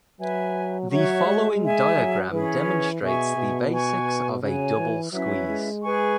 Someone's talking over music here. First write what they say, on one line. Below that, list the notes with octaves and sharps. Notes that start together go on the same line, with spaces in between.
The following diagram demonstrates the basics of a double squeeze.
F#3 B4 E5 G#5
F#3 F#4 C#5 E5 C#6
G#3
G#4 E5 G#5
F#3
E3 C#4 G#4 B4
E3
B2 G#4 E5 G#5 C#6
B2
B4 G#5 C#6
C#3 F#4 C#5 G#5
E3
F#3 C#4 E4 B4 E5
G#3
G#4 B4 G#5 C#6